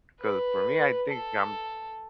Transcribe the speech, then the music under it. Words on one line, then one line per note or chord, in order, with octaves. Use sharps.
'Cause for me, I think I'm
B4
A4